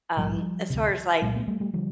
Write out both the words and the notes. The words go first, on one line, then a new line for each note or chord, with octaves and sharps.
Um, as far as, like
A#1 G#2 F3 G3
D2 C3
C2 A#2 F#3 G#3
A3 B3
G3 A3
G3 A3
D3 F3 G3